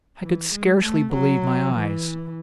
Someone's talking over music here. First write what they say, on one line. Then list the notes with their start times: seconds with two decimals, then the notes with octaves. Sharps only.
I could scarcely believe my eyes.
0.22 E3
0.53 G#3
0.82 A3
1.13 F#3
1.75 E3